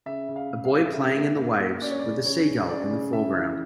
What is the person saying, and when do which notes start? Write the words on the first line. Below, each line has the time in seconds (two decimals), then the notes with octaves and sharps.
A boy playing in the waves, with a seagull in the foreground.
0.06 C#3 E5
0.28 C#3
0.36 F5
0.50 C#3
0.65 F5
0.72 C#3
0.94 C#3 E5
1.16 A#3
1.38 A#3
1.60 A#3
1.81 C#4 D5
1.91 C#5
1.99 C#3 D5
2.25 C#4 C#5
2.47 C#3
2.68 C#4 D5
2.91 C#3
3.13 C#3 E5
3.34 E3